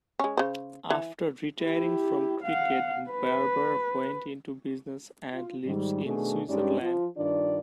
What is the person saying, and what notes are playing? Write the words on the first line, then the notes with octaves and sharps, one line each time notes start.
After retiring from cricket, Barber went into business and lives in Switzerland.
G#3 C#4
C#3 C5
E3
E4 G4
F5 F#5
B4
F4
G#2 D#3 G3
B2 D#3 A3 D4 G#4
G2 G#3 C#4 D#4 G4 D5
F3
G2 D#3 D4 F4 D5